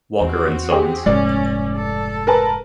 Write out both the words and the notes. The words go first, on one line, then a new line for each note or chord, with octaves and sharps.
Walker and Sons.
E2 C4 F#4
G4 G#4
F1 G#2 G#3 C#4 D5
A4
A#4 B4 A5